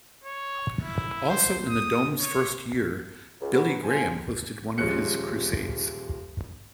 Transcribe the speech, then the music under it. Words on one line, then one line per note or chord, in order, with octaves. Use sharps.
Also in the Dome's first year, Billy Graham hosted one of his crusades.
C#5
E4
C5
D#6
C#5
C#2
F#3 B4
F4 A4 C5 G5 G#5
D#1 F3 G#3 C#4 F#6 C#7